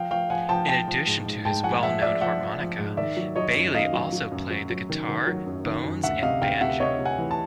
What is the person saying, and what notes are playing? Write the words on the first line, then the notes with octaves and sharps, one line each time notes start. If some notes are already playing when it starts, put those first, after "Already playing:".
In addition to his well-known harmonica, Bailey also played the guitar, bones, and banjo.
Already playing: F3 F5 G5
F3 F5 G5
F3 F#5 G#5
F3 G5 A5
F3 G5 A5
F3
G#2
G#2
G#2 G5 A5
F3 F#5 G#5
F3 E5 F#5
F3 D5 E5
F3 E5 F#5
F3
F3
G#2
D#3 D5 E5
F#3
F#3 C#5 D#5
F#2
D#3 D#5 F5
F#3
F#3
F#2
F#3
F#3
D#3
D#3
F#3
F#2
D#3
F#2
D2 E5 F#5
C3 D#5 F5
D2 F5 G5
C3 E5 F#5
C3 C#5 D#5
C3
F#5 G#5
E3
A5